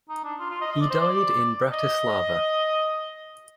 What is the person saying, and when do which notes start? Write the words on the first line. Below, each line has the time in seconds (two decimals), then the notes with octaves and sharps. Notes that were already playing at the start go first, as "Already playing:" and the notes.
He died in Bratislava.
0.09 D#4
0.24 D4
0.39 F4
0.50 F4
0.61 D#5
0.72 D#5
0.81 D5
0.90 C5
1.00 D5
1.72 D#5